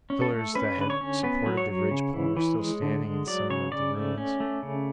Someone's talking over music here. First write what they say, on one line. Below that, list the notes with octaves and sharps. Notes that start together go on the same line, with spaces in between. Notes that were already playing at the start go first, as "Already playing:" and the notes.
The pillars that had supported the ridgepole were still standing in some of the ruins.
C#4
A4
A3
C#4 B4
D3 B4
C#5
C#4
B3 B4
F#3
C#5
F#3
C#3
E3
E3
G#3
D3
G#3
F#3 D5
C#3 C#5
C#3 D5
A3
C#4
A3
C#3